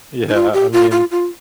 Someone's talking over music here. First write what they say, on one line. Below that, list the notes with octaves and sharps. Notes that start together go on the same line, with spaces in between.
Yeah, I mean,
D#4
F4
G4
F4
F4
F4